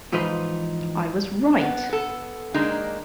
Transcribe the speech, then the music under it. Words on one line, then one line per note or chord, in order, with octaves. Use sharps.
I was right!
G#2 E3 F3 D#4 B4 C6
B3
B3 A4
D#3 G#3 A#3 D4 D#4